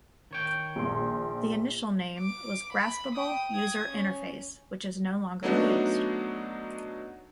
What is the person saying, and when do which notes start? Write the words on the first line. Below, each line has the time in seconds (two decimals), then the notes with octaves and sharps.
The initial name was Graspable User Interface, which is no longer used.
0.31 D#3 C#5 G5
0.76 A#1 C6
2.20 D6
2.73 B5
3.16 G5 D#6
3.53 D#6 G#6
3.88 C#4
5.43 F#3 A3 B3 D4 D#4 F#4